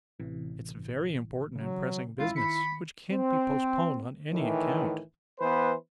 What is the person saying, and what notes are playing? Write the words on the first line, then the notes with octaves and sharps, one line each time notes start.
'It's very important and pressing business, which can't be postponed on any account.
A1 C3 E3
C#3 F#3
A#1 G#3 C#4 E4 F4
D#3 B5 C#7
C4
A2 D#3 E3
E3 B3 B4 C5